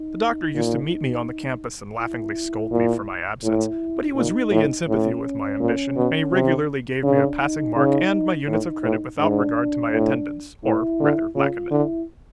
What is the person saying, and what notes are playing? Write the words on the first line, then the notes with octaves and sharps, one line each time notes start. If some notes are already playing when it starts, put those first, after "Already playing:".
The Doctor used to meet me on the campus and laughingly scold me for my absence, but he was really in sympathy with my ambition and he regularly gave me a passing mark and my units of credit without regard to my attendance, or, rather, lack of it.
Already playing: D#4
A#2
E4
A#2
A2 E4
A#2 D#4
A2
A2 C#4
A#2
B2
C3
C#3 D4
D#4
C#3 D#4
A2 D#4
A2
G#2 D4
A2
A2 E4
D3
C#3 F4
D3 E4